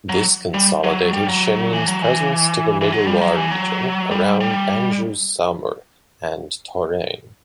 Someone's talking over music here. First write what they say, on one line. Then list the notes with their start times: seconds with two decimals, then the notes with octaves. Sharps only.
This consolidated Chenin's presence to the Middle Loire region around Anjou-Saumur and Touraine.
0.09 F#3
0.54 G3
0.84 F#3
1.13 G3
1.29 F#3
1.73 E3
1.88 F#3
2.02 E3
2.81 E3
2.92 F#3
3.07 G3
3.22 F#3
3.37 E3
3.52 F#3
4.11 G3
4.41 G3